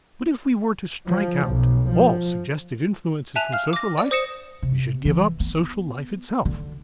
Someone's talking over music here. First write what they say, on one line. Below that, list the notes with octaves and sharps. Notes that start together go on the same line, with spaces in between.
But if we were to strike out all suggestive influences from social life, we should give up social life itself.
F3
B1
F3
E5 G#5 A5 F#6 D#7 F7
F5 F6
D6 A#6
D5
C5 D#6 A#6 C#7 E7
C3
E3
B3
D3